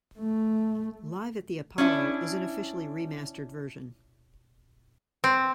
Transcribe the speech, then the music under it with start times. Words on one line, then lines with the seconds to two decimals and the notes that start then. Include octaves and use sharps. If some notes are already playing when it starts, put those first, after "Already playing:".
"Live at the Apollo" is an officially remastered version.
0.19 A3
1.78 C#4 D4 E4
5.24 C4